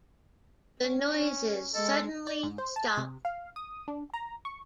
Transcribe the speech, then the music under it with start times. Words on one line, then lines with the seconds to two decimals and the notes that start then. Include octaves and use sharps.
The noises suddenly stop.
0.82 C#4
1.74 G#3 A4 D#5
2.27 D5
2.43 G#2
2.58 C5
2.76 A5
2.97 C3
3.25 F5
3.56 D#6
3.88 D4
4.14 A#5
4.45 C#6